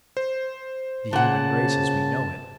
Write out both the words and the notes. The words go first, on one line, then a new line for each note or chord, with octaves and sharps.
The human race as we know it.
C5
A#2 C#3 F#5 A5